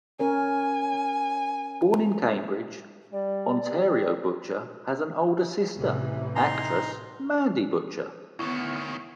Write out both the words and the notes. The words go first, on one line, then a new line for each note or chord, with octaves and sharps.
Born in Cambridge, Ontario, Butcher has an older sister, actress Mandy Butcher.
C#4 A#4 C#5 G#5
G3 D5
G4
A1 C3 E3
D#4 A#5 C6
D2 D#3 B3 E4 C#5 C#6